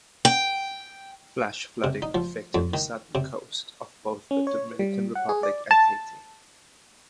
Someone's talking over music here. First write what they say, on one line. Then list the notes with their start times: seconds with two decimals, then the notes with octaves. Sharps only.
Flash flooding affected the southern coasts of both the Dominican Republic and Haiti.
0.25 G5
1.84 C3
2.02 D#4
2.15 F3
2.55 F2
2.74 D#3
3.15 C3
4.31 C#4
4.47 C#5
4.79 G3
5.15 F#5
5.29 G#4
5.43 D5
5.71 A5